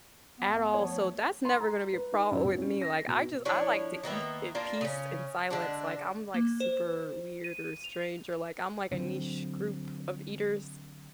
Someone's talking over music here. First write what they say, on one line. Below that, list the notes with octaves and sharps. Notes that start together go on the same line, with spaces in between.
at all, so that's never gonna be a problem with me, like, I just I like to eat in peace and silence, like, I'm like super weird or strange or like I'm like a niche group of eaters.
F#2 B3
F3 A3 C#5
C6
A#5
B4
D#4
F#2
B2
C#4
A#6
B2
F3 D4 E4 C#5
D#3 A#3 B3 E5
A#3 D4 F4 A#4
C#3 C#4
D3 G#3 D4
A#3
C5
D#7
F7
D3 F#3 C4